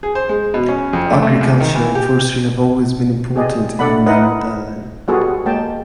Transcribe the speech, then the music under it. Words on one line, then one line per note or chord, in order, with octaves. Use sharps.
Agriculture and forestry have always been important in Namdalen.
G#4
C5
G#3
B2
C#4
F2
A3
A3
C#2
D#3
E3
G4
G4 G#4 D5 D#5
A3 D4 A4 D5 F#5 B5
D#4 E4 A#4 B4 D#5 F#5
G3 B3 F4 F#4 G#4 A4
G#3 A#3 G5 A5